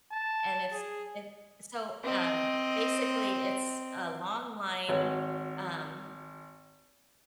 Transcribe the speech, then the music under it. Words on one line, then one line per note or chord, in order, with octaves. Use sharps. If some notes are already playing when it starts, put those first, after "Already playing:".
and it's it so, um, basically, it's a long line, um,
A5
G#4
C4 D#5
G#1 F#4 B4 C#5